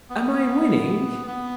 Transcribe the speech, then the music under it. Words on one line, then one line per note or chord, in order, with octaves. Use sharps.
"Am I winning?"
B3
B3